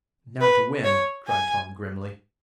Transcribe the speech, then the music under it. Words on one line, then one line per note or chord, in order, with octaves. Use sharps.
"Now to win!" cried Tom, grimly.
B4
C#5
G#5